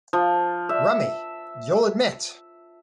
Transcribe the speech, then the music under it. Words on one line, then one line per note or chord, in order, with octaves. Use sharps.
Rummy, you'll admit.
F3
E5